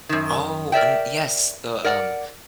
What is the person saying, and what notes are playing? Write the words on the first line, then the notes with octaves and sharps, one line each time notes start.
Oh, and yes. The, um,
F#2 D#3
A#4 D5 E5 G5
A#4 D5 F#5